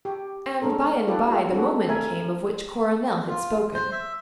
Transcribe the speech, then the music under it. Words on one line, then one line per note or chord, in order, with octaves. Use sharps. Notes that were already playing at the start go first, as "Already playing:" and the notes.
And by and by the moment came of which Coronel had spoken.
G4
G#3 C#4 D4 A4 A#4
D#4 F4 G4 A4 B4 D5
F4 G4 E5
C4 D4 F#4 G#4 A4
A3 A#4 E5 G#5
F4
C5
E5